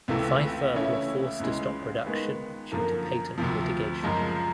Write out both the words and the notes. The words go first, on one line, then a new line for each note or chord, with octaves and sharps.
Pfeiffer were forced to stop production due to patent litigation.
C#2 C3 E3 A3
C#3 E3 A3 C#4 E4
C#2 C#3 E3 G#3
D#3 G#3 B3
F#2 D3 F3 A#3
D2 C3 F3
F#2 C#3 F3 G#3